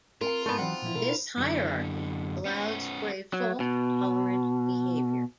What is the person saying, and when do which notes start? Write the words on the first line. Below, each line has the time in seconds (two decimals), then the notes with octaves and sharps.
This hierarchy allows for a fault tolerant behavior.
0.21 C4 F4 A#4 F5
0.46 G#2 A3 B3 A#4
0.58 E3 F#3 C4 D#4 F#5
0.82 A#2 F3 E4
0.94 B2 E4 A#4
1.38 F#2 D3
2.45 B3 C#4
3.33 F#3
3.60 B2